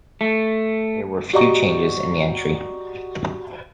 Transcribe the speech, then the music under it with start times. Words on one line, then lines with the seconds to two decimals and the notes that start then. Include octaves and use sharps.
There were few changes in the entry.
0.21 A3
1.33 F#4 G4 D5 D#5 A#5 C#6